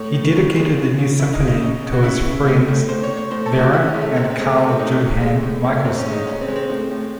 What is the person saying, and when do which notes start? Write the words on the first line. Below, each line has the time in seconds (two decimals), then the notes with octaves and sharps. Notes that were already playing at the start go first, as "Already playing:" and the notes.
He dedicated the new symphony to his friends Vera and Carl Johan Michaelsen.
Already playing: A2 C#5
0.14 A2
0.35 C#3
0.56 G#3
0.77 C#3
0.98 C#3
1.19 C#3 E4
1.34 D#4
1.41 C#3
1.48 D#4
1.62 C#3
1.82 C#3
1.93 F#4
2.04 C#3 E4
2.25 C#3
2.47 A2
2.68 A2
2.88 A2 C5
3.03 C#5
3.10 A2
3.16 C#5
3.31 A2 C5
3.46 A4
3.52 A2
3.59 F#4
3.73 C#3 E4
3.88 C#4
3.94 G#3
4.02 A3
4.16 C3 C4
4.30 C4
4.37 G#3
4.43 A3
4.58 A2 A3
4.69 C4
4.79 A2 D#4
4.90 E4
5.00 C#3
5.21 G#3
5.43 A2
5.64 A2
5.84 C3 C4
5.99 C#4
6.06 G#3
6.13 D#4
6.27 C#3 C#4
6.41 C4
6.48 G#3
6.56 C4
6.70 A2
6.91 A2